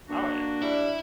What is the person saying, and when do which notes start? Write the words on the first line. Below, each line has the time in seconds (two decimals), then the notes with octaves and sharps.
Oh, yeah.
0.09 A#3 D4 F#4
0.62 G3 E4